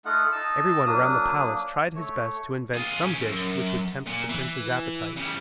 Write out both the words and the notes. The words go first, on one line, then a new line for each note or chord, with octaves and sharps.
Every one around the palace tried his best to invent some dish which would tempt the prince's appetite.
A3 D#4 F4 F#5
D#4 A5 E6
F#3 A#3 D4 D#6
A3 C#5
F4 G#4
C#4 G4
F#2
A#2
E3
C#3 G3